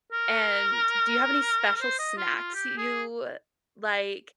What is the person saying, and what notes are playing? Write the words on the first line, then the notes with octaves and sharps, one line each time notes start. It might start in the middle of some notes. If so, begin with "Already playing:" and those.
and do you have any special snacks you, uh, like
A#4
A#4
C5
D#5
F4
F4
G4
G#4